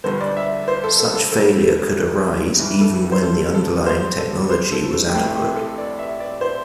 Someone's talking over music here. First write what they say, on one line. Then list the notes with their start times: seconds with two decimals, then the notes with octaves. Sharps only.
Such failure could arise even when the underlying technology was adequate.
0.04 G1 G2 D3 C5
0.21 D5
0.37 E5
0.68 C5
0.84 A4
1.00 A4
1.15 A4
1.32 A4
2.59 G1 G2 E3
2.81 A4
3.12 C5
3.22 A4
3.55 A4
3.86 C5
4.18 A4
4.50 C5
4.72 A4
4.93 A4
5.10 G4
5.14 A1 A2 A3 C4 A4
5.35 G4
5.56 A4
5.78 D5
5.99 E5
6.20 D5
6.41 C5